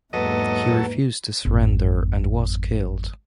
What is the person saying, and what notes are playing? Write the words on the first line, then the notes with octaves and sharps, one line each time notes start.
He refused to surrender and was killed.
E2 G#2 F#3 A#3 A4 B4 D#5
G#1 F2